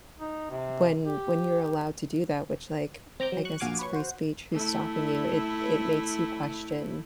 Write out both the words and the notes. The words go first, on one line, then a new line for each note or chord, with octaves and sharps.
when when you're allowed to do that which, like, I guess it's free speech, who's stopping you? It it makes you question
D#4
C3
G4
C4 A#5 D6 G6
F#3
C#6 F#6
A#1 F#4 F5 G#5 D6
B4 C#5 C#6
F#4 C5
A3 E4